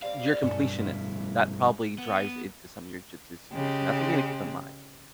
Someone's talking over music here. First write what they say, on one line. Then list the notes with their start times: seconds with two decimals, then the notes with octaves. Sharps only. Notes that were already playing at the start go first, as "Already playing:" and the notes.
you're completionist; that probably drives into some of your jujitsu-ness, and that's something to keep in mind,
0.03 G3 A#3 C4 F5
0.43 B1 G2 A3 C#4 A4
0.78 F3 E4
1.98 B3
3.52 C#3 G#3 G4